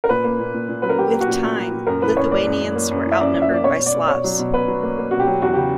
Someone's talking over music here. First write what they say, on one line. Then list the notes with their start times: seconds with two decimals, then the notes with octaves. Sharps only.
With time Lithuanians were outnumbered by Slavs.
0.04 A#4
0.09 A#2 B4
0.24 A#3
0.39 A#2
0.54 A#2
0.68 A#2
0.82 F#3 B4
0.89 A#4
0.98 F#3 G4
1.13 A#3
1.21 F#4
1.28 A#2
1.43 A#2
1.57 A#2
1.72 A#2
1.87 F#2 A#4
2.02 E3 B4
2.16 F#2 C#5
2.31 A#3 D5
2.47 F#2
2.61 F#2
2.75 A#3
2.91 F#2
3.06 E3
3.12 E5
3.21 F#2 D5
3.35 F#2
3.42 E5
3.50 A#3 D5
3.64 B2 C#5
3.79 B2
3.86 D5
3.94 B2
4.08 B2 C#5
4.24 F#3
4.39 B2
4.53 B2 B4
4.68 F#3
4.83 A#3
4.98 A#3
5.11 B2 F#4
5.20 G4
5.27 F#3
5.42 E2 F#4
5.53 C#3 G4